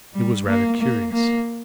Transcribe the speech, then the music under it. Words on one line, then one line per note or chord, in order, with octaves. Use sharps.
It was rather curious.
G3
A#3
A#3
A#3